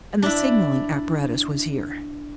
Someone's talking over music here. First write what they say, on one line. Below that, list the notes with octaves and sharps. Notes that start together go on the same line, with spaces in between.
And the signaling apparatus was here!
D4 E4